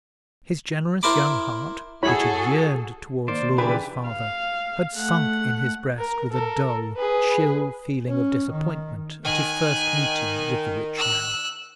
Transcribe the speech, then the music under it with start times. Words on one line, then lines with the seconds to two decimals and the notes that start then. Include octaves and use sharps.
His generous young heart, which had yearned towards Laura's father, had sunk in his breast with a dull, chill feeling of disappointment, at his first meeting with the rich man.
1.03 E4 A#4 C5 A5 B5 D6
2.03 E4 F#4 G#4 A4 C#5 B5
3.28 D#3 A#3 C5 D5
3.58 C#3 E3 D4 G4 G#4 B4 D5
4.08 F5
4.96 A3 F#5
5.98 A#4
6.31 A4 A#4
6.96 G#4 B4
8.08 C#4
8.51 D#3
9.25 D#3 G#5 F#6
10.97 E6 F#6